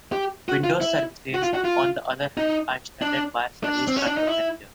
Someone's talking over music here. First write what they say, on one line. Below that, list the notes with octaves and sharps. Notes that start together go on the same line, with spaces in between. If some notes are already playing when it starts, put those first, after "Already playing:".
Windows services, on the other hand, are started by Service Control Manager.
G4
F#4
F4
E4
F#4
F4
F#4
F4
D#4
D4
D4
C4
C#4
D4
D#4
E4